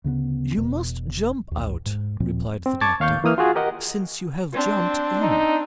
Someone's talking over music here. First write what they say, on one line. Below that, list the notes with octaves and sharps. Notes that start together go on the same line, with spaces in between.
"You must jump out," replied the doctor, "since you have jumped in."
D2 C#3 A3 B3
E1 E2 B2
A1 D#2
G#2
D#2 A#2 F3 C4
C4
A5 C#6 D6 G#6 A6
D#2 F5 C#6 G6
E3 A#3 D#6 F6
F4 F#4 G#4
G4 A#4 D#5 F#5
C4 D4
D#4